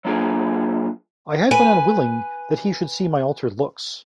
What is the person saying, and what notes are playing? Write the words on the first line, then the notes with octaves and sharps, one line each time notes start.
I had been unwilling that he should see my altered looks.
F#3 A#3 D4 F4 G#4
B4 G#5